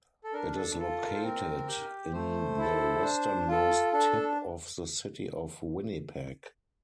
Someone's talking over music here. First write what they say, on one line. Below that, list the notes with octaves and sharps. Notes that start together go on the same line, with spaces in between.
It is located in the westernmost tip of the City of Winnipeg.
A4
D4 A#4
A4
F4 A4
A#4
C5
C4 A#4
G4
A3 C5
E4 A4
D4
F4 A4
D4 A4